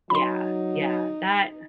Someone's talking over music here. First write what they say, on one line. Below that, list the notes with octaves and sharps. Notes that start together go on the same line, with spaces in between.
Yeah, yeah, that
F#3 D#4 B5 C6